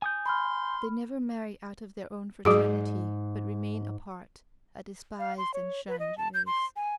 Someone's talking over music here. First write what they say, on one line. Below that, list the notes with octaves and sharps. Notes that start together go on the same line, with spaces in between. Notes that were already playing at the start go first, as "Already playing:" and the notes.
They never marry out of their own fraternity, but remain apart, a despised and shunned race.
G#5 D#6 G6
B5 C6 F6
G#2 F#3 F#4 G#4
F5
C6
C#5
B4
D#5
A5
G6
C6
G#5